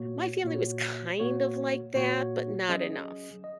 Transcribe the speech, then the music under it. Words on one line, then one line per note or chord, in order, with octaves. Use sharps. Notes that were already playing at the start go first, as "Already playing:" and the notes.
My family was kind of like that, but not enough.
Already playing: A#2 A#3 F#4 C#5
A#2 A#3 F#4 C#5
A#2 A#3 F#4 C#5
A#2 A#3 F#4 C#5
F#3 C#4 G#4 D#5
D#5